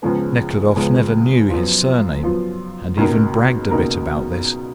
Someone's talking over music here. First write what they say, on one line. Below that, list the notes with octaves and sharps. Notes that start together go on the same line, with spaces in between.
Nekhludoff never knew his surname, and even bragged a bit about this.
C#2 C#3 F3 G#3 B3
C#2 C#3 F3 G#3 B3
F#2 F3 B3 F4
F#2 F3 B3 F4
C#2 B2 A#3 D#4 A#4
C#2 B2 A#3 D#4 A#4